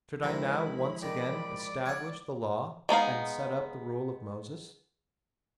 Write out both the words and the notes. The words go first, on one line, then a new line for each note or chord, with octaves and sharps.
Should I now once again establish the Law, and set up the rule of Moses?
D#2 C3 D#3 F3 G#3 E4 B5
D#3 D5
C#5 F#5
G#3 B3 D#4 F5